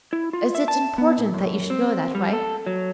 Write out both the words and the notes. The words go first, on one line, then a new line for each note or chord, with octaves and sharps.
"Is it important that you should go that way?"
E4
F4
E5
A5
B3
A#2
F#2
C4
G3
A4
F#3